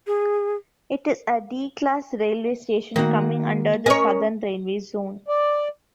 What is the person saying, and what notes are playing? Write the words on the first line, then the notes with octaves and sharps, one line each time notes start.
It is a 'D-Class' railway station coming under the Southern Railway Zone.
G#4
D#3 A#3 F#4
C#4 A#4 C#5 D#5 G#5
D5